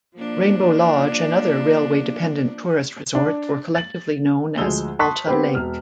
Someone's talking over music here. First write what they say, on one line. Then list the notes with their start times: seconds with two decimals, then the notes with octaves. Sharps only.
Rainbow Lodge and other railway-dependent tourist resorts were collectively known as Alta Lake.
0.16 F3 A#3 D4
3.15 D4
3.75 A6 F#7
4.58 D2 F3 G#3 G#4 E6 G7
4.99 A5 C6 C#6 D#6 F#6 B6
5.27 B3 C4 G4 B4
5.55 E1 F6